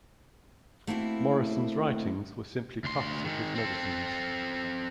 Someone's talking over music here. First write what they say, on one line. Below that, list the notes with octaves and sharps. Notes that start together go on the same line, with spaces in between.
Morison's writings were simply puffs of his medicines.
A3 A#3 C4 E4 F#4
D2 C6
D#3 G#3
C4 A4